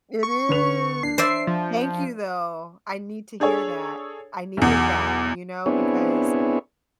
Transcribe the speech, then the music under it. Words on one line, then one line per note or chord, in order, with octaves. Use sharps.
It is. Thank you though. I need to hear that. I needed that, you know, because
C#6
D3 B4 F7
D4 C7
C5 D5 E5
F3
D4 G#4 A4 C#5
B1 E2
B3 C4 D4 E4 G#4 C#5